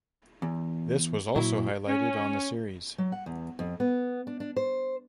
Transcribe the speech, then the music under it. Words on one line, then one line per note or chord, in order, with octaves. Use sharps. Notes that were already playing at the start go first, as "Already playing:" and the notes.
This was also highlighted on the series.
E2
A#2 F#3 E4
C#4
F#3
F#5
E2
F2
B3
D4
D4
C5